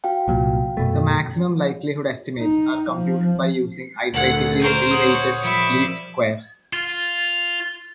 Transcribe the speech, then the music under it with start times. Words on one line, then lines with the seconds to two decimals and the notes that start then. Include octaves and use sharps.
The maximum-likelihood estimates are computed by using iteratively reweighted least squares.
0.04 F#4 F5 G5
0.28 C2 A#2 F#3
0.77 F#2 B2 A3
2.40 D#4
2.91 F3
4.14 D2 A#2 A3 F#5 G#6 F#7
4.60 A#4 C5 C#6 G6 D#7
4.91 C#5 F#5 C#6 D#6 D#7 F#7
5.43 F3 G3 E5 B5 D6 C#7
6.73 F4